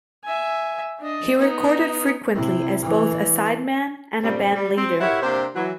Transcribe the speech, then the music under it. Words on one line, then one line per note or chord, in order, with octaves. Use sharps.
He recorded frequently as both a sideman and a bandleader.
E5 G#5
D4 D#5
B3 D#4
C3 E4
E3
G2 A#2 C#3 G3 C4
G3
C4
E4 G4 A#4 C#5 E5 F#5
C3 A#3 D4 G4 C5
E3 F#3